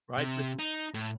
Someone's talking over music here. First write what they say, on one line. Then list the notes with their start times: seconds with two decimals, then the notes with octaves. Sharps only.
Right? But
0.18 C3
0.59 D#4
0.94 A2